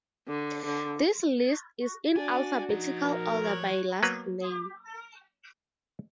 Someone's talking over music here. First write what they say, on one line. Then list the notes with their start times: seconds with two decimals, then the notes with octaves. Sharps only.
This list is in alphabetical order by last name.
0.29 D3
0.65 D3
2.16 D4 F#4 D5 G#5
2.69 F3 D#4 A#5
3.04 A#4
3.44 C#5 F#6
4.03 F#3 A#3 B3 B4